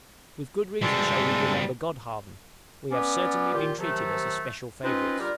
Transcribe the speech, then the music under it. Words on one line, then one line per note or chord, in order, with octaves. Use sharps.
With good reason shall we remember Godhavn; we have certainly been treated as especial favorites.
B2 G3 G#3 A4
B3 C#4 D5
A#2 D#3 F4 G4
C3 D#3 F3 F#3 A3
C4 C#4 D#4 F4 B4 D#5
D3 G3 F4 G4 A#4